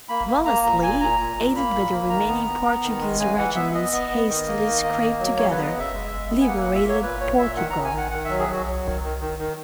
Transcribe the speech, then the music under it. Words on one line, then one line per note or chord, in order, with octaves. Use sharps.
Wellesley, aided by the remaining Portuguese regiments hastily scraped together, liberated Portugal.
A#3 B5
A#3
A#3 A#5
A#2 A#5
A#2 G#5
A#2 A#5
A#2
A#2
A#3 B5
A#2
A#3
D#3 A#5
B3
B3
B3
D#3
G#3
C#3 G#5
E3 F#5
B3 E5
B3 D#5
B3
B3
D#3 D#5
A#3
D#3
A#3
A#3
F#3
C#3 C#5
B4
B3
D#5
C#3
E5
G#3
G#3
B3
G#5
A#3 F#5
F#5
A#2
E5
A#3 C#5
A#2 B4
A#2 C#5
A#2 E5
D#3 F#5
A#5
D#3
G#5
D#3 F#5
D#3 F#5
E5
F#3
G#4
F#3 F#4
F#3
D#3
D#3
D#3
D#3